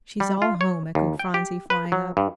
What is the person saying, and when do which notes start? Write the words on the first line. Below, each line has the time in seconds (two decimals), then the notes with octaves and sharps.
"She's all home," echoed Phronsie, flying up.
0.20 G3
0.42 F4
0.61 C#5
0.95 D#2
1.19 G5
1.34 G4
1.70 B4
1.92 F#3
2.17 G2